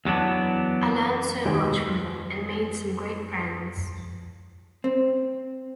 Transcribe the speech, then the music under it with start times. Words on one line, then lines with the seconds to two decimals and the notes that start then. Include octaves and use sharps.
I learnt so much from them and made some great friends.
0.05 E2 F#3 B3 D4
1.45 D#2 B2 G3 G#3 G#4 G5
4.84 C4